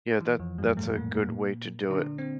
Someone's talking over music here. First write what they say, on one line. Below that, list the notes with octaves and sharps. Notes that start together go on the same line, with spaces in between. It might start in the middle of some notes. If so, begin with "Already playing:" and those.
Yeah, that that's a good way to do it.
E3
F2 F3
G2 G3
A2 A3
A#2 A#3
A#2 A#3
D3 D4
C4